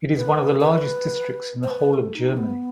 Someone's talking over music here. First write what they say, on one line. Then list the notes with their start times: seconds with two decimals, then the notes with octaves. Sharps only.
It is one of the largest districts in the whole of Germany.
0.17 B4
0.61 B4
1.63 C5
1.70 B4
1.93 A4
2.15 D#4
2.37 B3